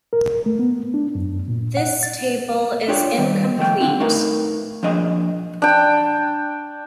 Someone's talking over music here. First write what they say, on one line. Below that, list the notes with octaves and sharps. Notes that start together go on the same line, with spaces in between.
This table is incomplete.
A#4
A3
B3
D4
F#2
A#2
F#5
A6
D4 F4 G4 C#5 D5
D#3 G3
D#3 F3 A3 G5
D3 C4
A3 D#4 A#4 B4 F5
F3 A#3 D4 G#4 D#5
D4 G5